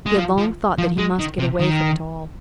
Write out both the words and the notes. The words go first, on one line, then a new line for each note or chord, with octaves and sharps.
He had long thought that he must get away from it all.
G#3
F3
F3
F3
G#3
D#3
C3
D#3